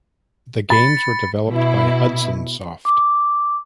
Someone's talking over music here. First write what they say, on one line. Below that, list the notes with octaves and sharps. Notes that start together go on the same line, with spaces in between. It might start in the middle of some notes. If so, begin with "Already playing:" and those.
The games were developed by Hudson Soft.
B5 A6 C#7
B2 E4
D6